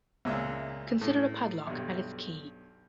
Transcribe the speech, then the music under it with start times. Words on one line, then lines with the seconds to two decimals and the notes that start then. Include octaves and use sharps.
Consider a padlock and its key.
0.25 C#2 A#2 G#3 E5 E6
1.01 A2
1.67 B1 G2